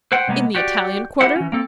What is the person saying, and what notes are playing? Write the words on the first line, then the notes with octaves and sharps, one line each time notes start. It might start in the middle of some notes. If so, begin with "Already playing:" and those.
"In the Italian Quarter?"
B4 C5 F#5 G5
C3 G#3 A#3 B3
F#4 G4 D5
E4 G4 A#4 C5 E5 F#5
E3 C#4
A#3 C4 A4